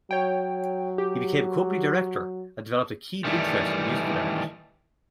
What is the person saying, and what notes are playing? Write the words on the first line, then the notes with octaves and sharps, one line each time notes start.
He became a company director and developed a keen interest in music and art.
F#3 C#5 G5
G4
D#3 E3 G3 A3